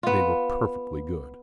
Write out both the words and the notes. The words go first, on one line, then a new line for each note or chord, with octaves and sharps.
They were perfectly good.
B3 F4